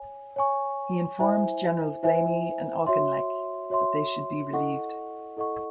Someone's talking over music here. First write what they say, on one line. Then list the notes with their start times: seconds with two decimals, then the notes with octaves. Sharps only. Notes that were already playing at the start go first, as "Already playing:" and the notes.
He informed Generals Blamey and Auchinleck that they should be relieved.
Already playing: C#5 G#5
0.36 C#5 G#5 C#6
1.20 E4 C5 E5 G#5
2.03 E4 C5 E5 G#5
2.87 F#4 C#5 E5 C6
3.70 F#4 C#5 E5 C6
4.53 E4 A4 D#5 F#5 C#6
5.37 E4 A4 D#5 F#5 C#6